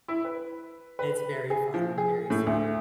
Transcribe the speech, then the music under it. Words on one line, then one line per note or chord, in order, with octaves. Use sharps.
It's very fun and very sweet.
E4
B4
B4
G#4
F3
G#4
A2
D2